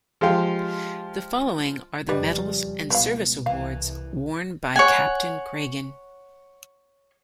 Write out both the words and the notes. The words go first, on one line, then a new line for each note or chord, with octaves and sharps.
The following are the medals and service awards worn by Captain Cragen.
F3 G#3 G4 F5 G5
F2 C#3 G3 G4 B4 D#5
C#2 B2 B3 E4 F5
C2 E3 F5
C#5 F#5 G#5